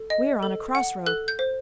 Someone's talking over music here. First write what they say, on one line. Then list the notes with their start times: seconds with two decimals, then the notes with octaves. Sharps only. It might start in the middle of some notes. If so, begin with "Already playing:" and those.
We are on a cross-road.
Already playing: A4
0.10 D#5
0.43 A4
0.75 F#5
1.06 A4 F#6
1.28 G6
1.39 C5